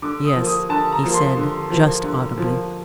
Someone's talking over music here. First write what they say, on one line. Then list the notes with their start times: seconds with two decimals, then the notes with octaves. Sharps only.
"Yes," he said, just audibly.
0.02 D3 D6
0.25 D#6
0.35 F3 A#3
0.47 D#6
0.69 D3 A5
0.92 A#5
1.04 F3 A#3
1.14 C6
1.37 D3
1.70 F3 A#3
2.03 D3
2.38 F3 A#3